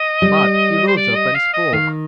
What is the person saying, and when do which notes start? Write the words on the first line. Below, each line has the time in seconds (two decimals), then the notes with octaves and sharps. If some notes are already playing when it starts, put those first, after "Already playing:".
But he rose up and spoke.
Already playing: D#5
0.22 G3
0.87 C5
0.97 D5
1.16 D#5
1.35 F5
1.53 D#5
1.73 D#3 F5